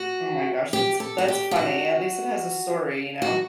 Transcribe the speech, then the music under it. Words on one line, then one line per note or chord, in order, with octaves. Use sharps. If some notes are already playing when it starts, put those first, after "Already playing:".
Oh my gosh, that's that's funny, at least it has a story, you know.
Already playing: F#4
G4
A4
F#4
G4
G4
F#4
F#4